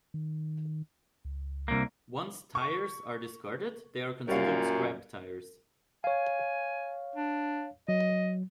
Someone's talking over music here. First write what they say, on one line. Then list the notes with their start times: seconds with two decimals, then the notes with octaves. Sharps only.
Once tires are discarded, they are considered scrap tires.
0.14 D#3
1.25 C#2
1.68 C2 A#3
2.55 C#6
4.28 F#2 A#2 G3 F5
6.04 C#5 F5 G#5
7.16 D4
7.88 F#3 D#5